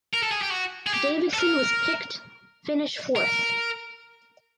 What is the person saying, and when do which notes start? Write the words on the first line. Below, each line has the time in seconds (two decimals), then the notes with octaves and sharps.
Davidson was picked finish fourth.
0.13 A#4
0.23 A4
0.31 G#4
0.41 G4
0.50 F#4
0.87 G#4
0.94 G4
1.34 A4
1.38 A#4
3.16 A#4